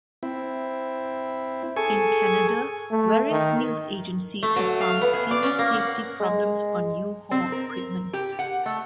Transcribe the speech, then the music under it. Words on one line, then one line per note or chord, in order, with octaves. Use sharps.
In Canada, various news agencies have found serious safety problems on U-Haul equipment.
C4 E4
G#4 A4 G#5 C#6
A3
D#3
A3
F#3
F5
B3
G#4
D5
C#4
A#3
F#5
G#3
C4
A#4
G4
F#5
A3